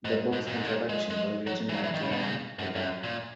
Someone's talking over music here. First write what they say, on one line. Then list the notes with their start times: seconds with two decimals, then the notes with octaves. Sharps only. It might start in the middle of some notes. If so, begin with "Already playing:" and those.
The book's introduction was written by Chaim Potok.
0.05 G#2
0.33 G#2
0.47 A#2
0.56 G#2
0.65 A#2
0.89 G#3
1.10 G#3
1.47 F#3
1.69 E3
1.74 F#3
1.84 E3
1.94 D#3
2.02 C#3
2.11 B2
2.22 C#3
2.59 F#2
2.75 F#2
3.03 A#2